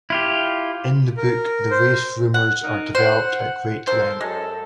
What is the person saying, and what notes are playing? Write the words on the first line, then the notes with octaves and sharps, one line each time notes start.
In the book, the race rumors are developed at great length.
E4 F4 G4
A#4
C5
F#5
D#4 A#4
C5 F#5
A4 A#4 C5
F#2 G#3 A4